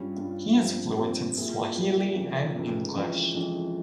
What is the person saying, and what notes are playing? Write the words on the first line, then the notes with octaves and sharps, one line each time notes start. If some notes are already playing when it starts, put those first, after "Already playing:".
He is fluent in Swahili and English.
Already playing: G2 G3 C#4 F4
G2 G3 C#4 F4
G2 F3 C4 G4
G2 F3 C4 G4
A#2 G3 A#3 E4 G#4
A#2 G3 A#3 E4 G#4
F1 F2 C#3
F1 F2 C#3
F2 E3 G#3 C#4
F2 E3 G#3 C#4